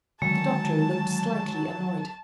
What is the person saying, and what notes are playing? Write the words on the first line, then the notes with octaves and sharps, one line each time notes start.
The doctor looked slightly annoyed.
D3 D#3 F#3 G#3 A5